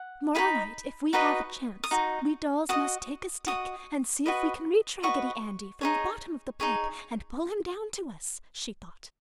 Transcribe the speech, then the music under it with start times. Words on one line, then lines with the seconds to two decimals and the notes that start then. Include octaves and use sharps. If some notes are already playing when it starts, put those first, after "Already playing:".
"Tomorrow night if we have a chance, we dolls must take a stick and see if we can reach Raggedy Andy from the bottom of the pipe and pull him down to us!" she thought.
Already playing: F#5
0.35 D#4 G#4 D#5 B5
1.13 D#4 F#4 B4 D#5
1.84 D#6
1.91 D#4 F#4
2.69 F#4 D#5 D#6
3.47 F#4 D#5 D#6
4.26 F#4 B4 D#5
5.03 F#4 B4 D#5 C#6
5.81 D#4 G#4 C#5
6.60 D#4 G#4 C#5